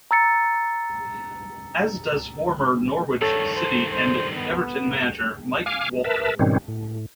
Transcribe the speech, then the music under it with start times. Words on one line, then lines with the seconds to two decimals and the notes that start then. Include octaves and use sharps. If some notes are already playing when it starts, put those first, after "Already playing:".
As does former Norwich City and Everton manager, Mike Walker.
0.11 A#5 E6 A6 C#7
3.21 G2 D#3 A4 C#5
3.55 C5
3.91 C5
4.35 B3
5.66 F5 G#5 D6 F6
6.04 A#4 B4 E5 A5
6.39 G#2 B2 D#3 G3 C4 C#4
6.68 A2